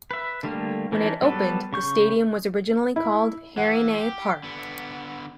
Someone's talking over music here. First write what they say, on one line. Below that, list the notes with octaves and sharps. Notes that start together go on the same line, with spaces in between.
When it opened the stadium was originally called Harringay Park.
B4 E5
D3 G3 A3 A#3
E3 C#4 D#4 E4 A4
F#3 G3 B3 A4 B4
C#3 C#6 G6
E4
E3 F#5
G4
D3 B3